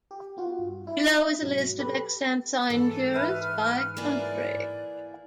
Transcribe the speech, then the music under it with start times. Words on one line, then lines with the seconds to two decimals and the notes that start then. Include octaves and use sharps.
Below is a list of extant sinecures by Country.
0.11 G4
0.37 B3 F4 F#4
0.59 G2
0.87 E4
1.41 G#2 B2 F#3
1.79 G4 A4 B4 B5
2.70 G#2 E3 A4
3.14 B4 E5 F6
3.97 A#3 E4 G#4 D5